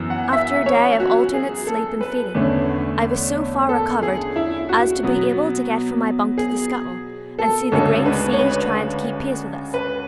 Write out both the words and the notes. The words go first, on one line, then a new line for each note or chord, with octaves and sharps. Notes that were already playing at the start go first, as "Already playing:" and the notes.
After a day of alternate sleep and feeding I was so far recovered as to be able to get from my bunk to the scuttle, and see the green seas trying to keep pace with us.
Already playing: F#2 E3 B3
F#5
E5
C#5
F#4
G#4
A4
B4
E2 D3 A3 C#4
A4
G#4
E4
F#4
B2 F#3 B3
G#4
A4
D2 C#3 G#3 C#4 A4
B4
C#5
B4
B4